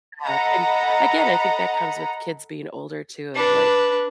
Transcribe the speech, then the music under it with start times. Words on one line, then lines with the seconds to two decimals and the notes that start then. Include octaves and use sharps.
Yeah, and, again, I think that comes with kids being older, too, of, like,
0.23 A4 D#5 F#5 A#5 B5
3.35 D4 B4